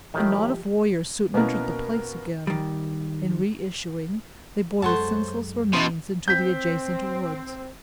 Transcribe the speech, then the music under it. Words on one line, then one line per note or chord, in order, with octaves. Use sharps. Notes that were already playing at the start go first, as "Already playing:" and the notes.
A knot of warriors soon entered the place again, and reissuing, they bore the senseless remains into the adjacent woods.
A2 D#3 F3 G4
B2 A#3 B3 C#4 E4 A#4
D#3 G3
F#2 G#3 A4 C5 C#5 F#5 A5
B2 C#4 C5 D#5 A5
C4 G6 B6